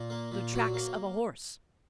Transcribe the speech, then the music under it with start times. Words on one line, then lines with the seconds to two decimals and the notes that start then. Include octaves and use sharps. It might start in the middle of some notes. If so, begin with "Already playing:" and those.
"The tracks of a horse."
Already playing: A#2
0.10 A#3
0.32 A#2
0.53 F#3
0.74 A#3